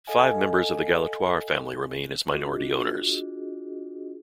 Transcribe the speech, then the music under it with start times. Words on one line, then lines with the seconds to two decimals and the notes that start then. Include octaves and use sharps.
Five members of the Galatoire family remain as minority owners.
0.07 A4 D#5 F5 G#5
2.30 D4 F4 F#4 G#4 D#5